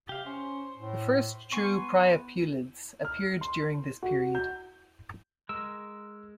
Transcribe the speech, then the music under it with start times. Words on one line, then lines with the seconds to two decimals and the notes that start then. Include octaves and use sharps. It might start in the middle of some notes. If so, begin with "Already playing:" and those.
The first true priapulids appeared during this period.
0.09 C3 G4 F5
0.26 C#4 C5
0.78 A2
1.52 B3 G#5 C6 C#6
3.05 F6
3.41 C6
4.03 F#4
4.35 G6
5.49 G#3 A#4 E6